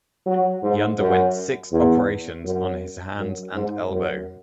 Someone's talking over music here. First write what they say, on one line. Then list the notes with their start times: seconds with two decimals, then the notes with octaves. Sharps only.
He underwent six operations on his hands and elbow.
0.27 F#3
0.63 G#2
1.00 F#2
1.72 E2
2.45 F#2
3.18 F#2
3.55 G#2
3.92 F#2